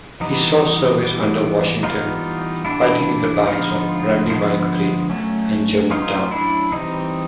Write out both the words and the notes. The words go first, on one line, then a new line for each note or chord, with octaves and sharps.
He saw service under Washington, fighting in the battles of Brandywine Creek and Germantown.
E3 G3 B3 D#4
E3 G3 B3
E3 G3 B3 D#4 F4
E3 G3 B3 D4 E4
D3 F3 G#3 B3 D#4 F4
D3 F3 G#3 B3
F#3 A3 C#4
F#3 A3 C#4 D#4 F4
D4 E4
E3 G3 C4 D#4